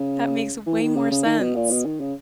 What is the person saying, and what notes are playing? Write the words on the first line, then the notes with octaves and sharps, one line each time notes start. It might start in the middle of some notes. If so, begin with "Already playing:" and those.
that makes way more sense.
Already playing: C#3
E3
D#3
C#3
C#3
D#3
B2
A#2
B2
D#3
C#3